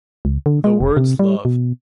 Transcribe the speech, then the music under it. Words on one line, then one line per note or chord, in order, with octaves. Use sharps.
The words Love.
C#2
D3
G#3
F1
C3
G3
B2